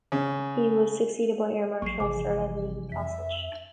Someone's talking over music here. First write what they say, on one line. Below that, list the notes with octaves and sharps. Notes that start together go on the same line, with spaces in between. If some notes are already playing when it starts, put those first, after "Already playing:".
He was succeeded by Air Marshal Sir Leslie Gossage.
C#3
A1 F#3 G3 A#3 C#6 C7
G#1 C3 E3 F3 G#4 G#5 D6
F2 E5 B6